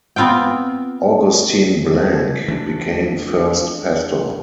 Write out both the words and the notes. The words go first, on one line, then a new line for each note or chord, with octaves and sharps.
Augustin Blanc became first pastor.
B3 C4 F4 F5 G5
E3 A3 D4